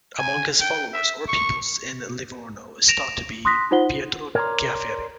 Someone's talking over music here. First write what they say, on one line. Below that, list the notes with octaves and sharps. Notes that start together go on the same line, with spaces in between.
Among his followers or pupils in Livorno is thought to be Pietro Ciafferi.
G#5
G5
E5
C#6
A#6 D7 E7 F7
C6 D#6 F#6 A#6 B6
D#4 F4 C5 F#5 G7
A#4 C#5 D5 A5 A#5 C6